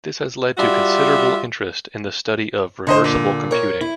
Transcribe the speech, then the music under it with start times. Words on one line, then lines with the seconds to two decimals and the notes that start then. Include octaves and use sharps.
This has led to considerable interest in the study of reversible computing.
0.58 G3 F4 F#4 D5 E5
2.87 D3 C5 D#5 C6
3.04 A#2
3.51 A#4 C#5
3.81 E4